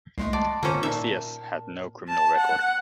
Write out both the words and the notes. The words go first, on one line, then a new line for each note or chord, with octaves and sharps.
Macias had no criminal record.
C2 G#3 A3 D#5 C6 C7
D5 F#5 A5
D3 A#3 C#4 F4 C5
A#2 D#4 A#4 E5 A5
A5
F#5